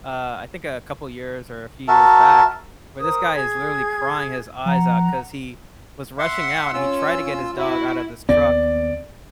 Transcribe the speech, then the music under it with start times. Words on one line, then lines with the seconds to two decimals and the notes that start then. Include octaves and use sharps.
uh, I think a couple years or a few years back, where this guy is literally crying his eyes out 'cause he was rushing out and he tried to get his dog out of his truck
1.88 F#4 A#4 E5 A5
3.00 A#4 C5 D#6
3.35 G#4 G#6
4.66 F3 F#5 A#5
6.19 E5 F#5 C6
6.73 C#4 F4 E6
7.56 E4 F#4
8.29 D#2 B3 C4 D5